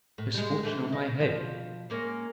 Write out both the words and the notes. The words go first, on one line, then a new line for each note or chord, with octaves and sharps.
Misfortune on my head!
A2
G3 G#3
D3 E3 A3
D#5
B2 F3
G#3 A#3 C#4